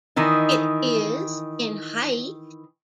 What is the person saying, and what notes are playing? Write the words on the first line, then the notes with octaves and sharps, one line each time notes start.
It is in height.
D#3 E3 D#4